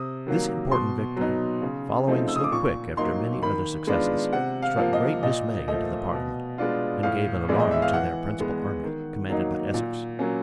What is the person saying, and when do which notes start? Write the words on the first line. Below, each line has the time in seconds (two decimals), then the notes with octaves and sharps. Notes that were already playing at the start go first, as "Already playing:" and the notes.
This important victory, following so quick after many other successes, struck great dismay into the parliament, and gave an alarm to their principal army, commanded by Essex.
Already playing: C3 D#6
0.27 D#3 F#3 A#3
0.71 B2 C6
1.16 F#3 B3 D#4
1.62 C#3
2.07 F3 A3 C4 D#4
2.28 E6
2.36 D#6
2.44 D6
2.52 A#2 C#6
2.97 F#3 A#3 D#4 C6
3.42 D#3 B5
3.87 G#3 B3 D4 F4
4.33 C3 F#5
4.62 F5
4.77 F3 A#3
4.93 D#5
5.23 A#2 D#5
5.68 F3 A3 D#5
6.13 B2
6.58 G#3 B3 D4 F4
7.03 A2 F5
7.48 E3 G#3 B3 E4 D5
7.60 D#5
7.71 E5
7.82 F5
7.93 E3 F#5
8.39 G#3 B3
8.84 D#3
9.29 F#3 A#3 D#4
9.74 A#2
10.19 F#3 A#3 C#4